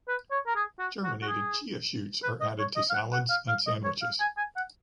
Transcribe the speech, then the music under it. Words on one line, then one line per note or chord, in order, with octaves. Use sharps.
Germinated chia shoots are added to salads and sandwiches.
B4
C#5
A#4
G#4
F#4
F#4
F#4
G#4
B4
D#5
C#5
D#5
F5
F#5
F#5
F5
F5
D#5
C#5
F5
G#5
G#5
F#5